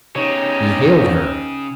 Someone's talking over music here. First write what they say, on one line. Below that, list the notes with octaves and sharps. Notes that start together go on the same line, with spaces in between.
He hailed her.
E2 C#3 D#4 G4 C#5